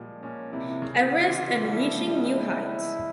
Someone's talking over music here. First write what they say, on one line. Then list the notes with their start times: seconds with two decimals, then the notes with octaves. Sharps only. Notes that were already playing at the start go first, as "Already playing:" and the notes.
Everest and reaching New Heights.
Already playing: A#2 F3 G3 G#3
0.22 A#2 C#4
0.53 C3 E4
0.71 C3
0.82 C#3
1.26 E3 F4
1.62 G3
1.70 F3 E4
2.07 G3
2.15 G#3 E4